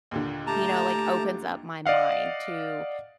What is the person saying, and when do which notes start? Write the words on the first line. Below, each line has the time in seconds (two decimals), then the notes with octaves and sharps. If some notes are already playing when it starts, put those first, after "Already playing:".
you know, like, opens up my mind to
0.11 D#2 A#2 D3
0.47 A3 G4 A5 A#5
1.86 D5 D#5 F5 F#5